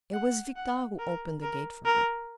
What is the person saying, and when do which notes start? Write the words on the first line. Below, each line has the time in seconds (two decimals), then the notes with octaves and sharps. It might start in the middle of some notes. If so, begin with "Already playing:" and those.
It was Victor who opened the gate for her.
0.13 F#5
0.56 F#5
0.99 A#4
1.42 A#4
1.85 A#4